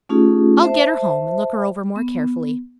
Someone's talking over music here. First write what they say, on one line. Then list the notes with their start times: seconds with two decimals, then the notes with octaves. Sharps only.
"I'll get her home and look her over more carefully."
0.09 A3 C#4 D#4 F4 G4 G#4
0.63 C5 E5 A5
1.96 B3